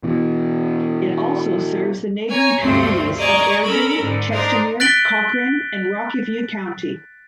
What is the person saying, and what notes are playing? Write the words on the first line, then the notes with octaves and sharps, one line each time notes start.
It also serves the neighboring communities of Airdrie, Chestermere, Cochrane and Rocky View County.
B2 E3
C#5 G#5 A#5
D2 G2 C3 A3 C4 C6
D5 D#5 G#5 A#5 C#6
C#4 A4 A#4 B5
G#2 D3
D4 D#4 A#4 C5
F#6 A6 B6 D7 F#7 G7